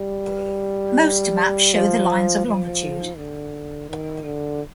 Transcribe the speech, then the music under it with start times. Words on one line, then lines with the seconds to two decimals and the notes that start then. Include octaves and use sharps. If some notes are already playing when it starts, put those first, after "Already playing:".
Most maps show the lines of longitude.
Already playing: G3
1.74 F3
2.46 F3
3.17 D3
3.89 D#3
4.24 D3